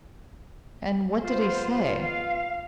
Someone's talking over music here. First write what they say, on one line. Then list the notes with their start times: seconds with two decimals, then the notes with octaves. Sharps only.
"And what did he say?"
1.25 B3 F4 C5
2.01 F5